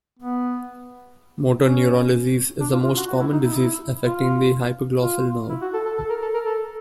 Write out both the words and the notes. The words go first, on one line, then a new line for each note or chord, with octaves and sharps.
Motor neuron disease is the most common disease affecting the hypoglossal nerve.
B3
C#4
D4
F4
F4
F#4
F#4
E4
D#4
E4
D#4
E4
F4
F4
E4
F#4
A4
A4
A4
A#4
A4
A#4
A4